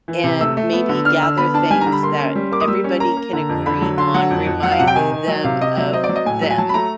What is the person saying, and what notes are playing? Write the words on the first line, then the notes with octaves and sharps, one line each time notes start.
and maybe gather things that everybody can agree on reminds them of them.
E3
C3
A3 E6
A3
B3
D3
D4 F6
D3 E6
B3 B5
D4 A5
G3 G#5
A#5
D3
B5
A#3 C6
C#4
G3
A#3 D6
D#6
G3 E6
C#4
A#3 A#5
A#3
D3
F2
D3 B5
F#3
D3 C6
F#3 F#5
F2
F2
F#3 F#5
F5
C3 F#5
G5
D#3 G#5
D#3
F#3
C3 F5
C3 D#5
F#3 E5
C4 D#5
D5
F#3
D#5
A2 G#5
F#3
G#5
F#3 A5
B5
A3 A#5